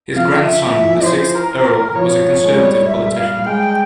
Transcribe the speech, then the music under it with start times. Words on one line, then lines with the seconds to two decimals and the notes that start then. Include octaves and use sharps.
His grandson, the sixth Earl, was a Conservative politician.
0.14 F3 F5
0.44 E5
0.74 E3 E5
0.85 F3
0.95 E3
1.04 C5
1.35 A#4
1.95 F3 C#5
2.44 G#3
2.55 G3
2.86 E5
3.16 F5
3.45 G#3 G5